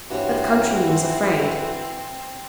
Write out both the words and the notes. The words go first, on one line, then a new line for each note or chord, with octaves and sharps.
But the countryman was afraid.
G2 E3 C4 C#4 F#4